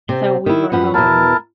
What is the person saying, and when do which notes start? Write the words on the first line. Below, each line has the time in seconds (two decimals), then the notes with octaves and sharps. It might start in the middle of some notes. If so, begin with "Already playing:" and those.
so we were home
0.09 C3 C4
0.46 D#3 E4
0.72 F#2 F3 B4 F#5
0.94 E2 B2 E4 A#4 A5